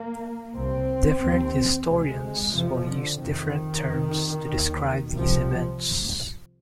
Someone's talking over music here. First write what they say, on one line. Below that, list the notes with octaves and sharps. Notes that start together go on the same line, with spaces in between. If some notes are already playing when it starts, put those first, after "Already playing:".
Different historians will use different terms to describe these events.
Already playing: A#3
C2 C3 C4
D#2
D2 C3 G#3
F2 C3 F3
D3
F2 C3 D#3
F2 C3
D#2
C2 C3 F3